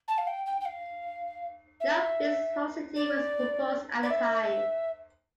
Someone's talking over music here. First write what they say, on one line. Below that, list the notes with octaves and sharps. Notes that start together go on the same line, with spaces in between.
No fixed host city was proposed at the time.
A5
F5
G5
G5
G5
F5
E5
D5
D5
E5